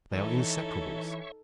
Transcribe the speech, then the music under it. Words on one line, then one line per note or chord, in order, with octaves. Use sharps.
They are inseparables.
E3 D#4 A4 C#5 E5 C#6